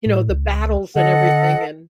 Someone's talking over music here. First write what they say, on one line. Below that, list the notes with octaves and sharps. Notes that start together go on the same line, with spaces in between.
you know, the battles and everything and
A2
C#2
D3 A4 D#5 F#5